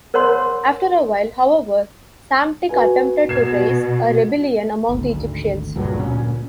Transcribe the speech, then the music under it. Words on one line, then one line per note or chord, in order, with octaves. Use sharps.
After a while, however, Psamtik attempted to raise a rebellion among the Egyptians.
A#4 C5 C#5 F#5 B5 C6
F#4 B4 G#5
B2 G#6 C7 E7
G#1 D2
C#2 G2 A#2 F#3
D2 A#2 C#4